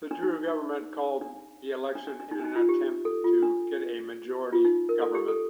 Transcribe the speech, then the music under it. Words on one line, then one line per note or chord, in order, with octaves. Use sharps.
The Drew government called the election in an attempt to get a majority government.
D4
D#4
D#4
D4
D4
D4
D4
D#4
D4
D#4
F4
G4
A4
F4
D4
F4
D#4
A#4
A4
G4
A4